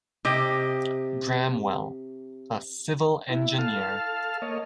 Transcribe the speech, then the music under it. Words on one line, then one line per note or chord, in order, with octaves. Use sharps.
Bramwell, a civil engineer.
C3 G4 D#5
E4
A4 F5 A5 F6
A#3 C#5 D#5